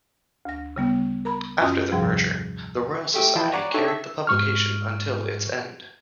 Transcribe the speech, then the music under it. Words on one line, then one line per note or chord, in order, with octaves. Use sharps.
After the merger, the Royal Society carried the publication until its end.
D2 A#6
C#3 G3 B3
A#4 A#5 B5
F#2 C#4 F4 D#5 C6 D#6
D#2 G#2 C3 F3 G3
A3 G4
E3 E4 F4 D#5 G5 A5
C#5 D5 F#5 G#5 A#5 D6
D4 D#4 G4 A4 C#5 E5
E5
G#2 C#6 F6